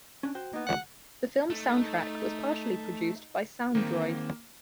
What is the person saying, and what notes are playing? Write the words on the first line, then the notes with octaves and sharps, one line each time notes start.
The film's soundtrack was partially produced by SoundDroid.
C#4 D4
F#4 C5 G5
A#3 B3 D#4
C#2 F#5
A3 D#4
D#3 A#3 C4